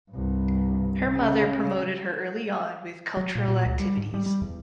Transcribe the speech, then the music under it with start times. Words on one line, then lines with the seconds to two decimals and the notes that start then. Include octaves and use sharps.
Her mother promoted her early on with cultural activities.
0.11 C2 G2
1.09 C#3
3.17 F#3
3.35 A#2
3.48 A#2
3.66 C#2
3.79 G3
3.97 G#2
4.14 G3
4.26 G3
4.41 E2